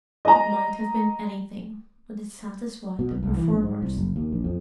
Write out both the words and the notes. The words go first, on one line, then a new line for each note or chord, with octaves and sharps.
It might have been anything, but it satisfied the performers.
D#5 A#5
B2
C2
C2
E3
A#1
G#2
C2
F#1
D#2
A#1
F2